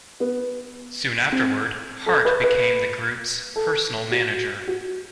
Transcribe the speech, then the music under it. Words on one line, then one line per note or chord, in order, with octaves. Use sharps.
Soon afterward, Hart became the group's personal manager.
B3
C4
A4
B4
B4
A4
F#4
F#4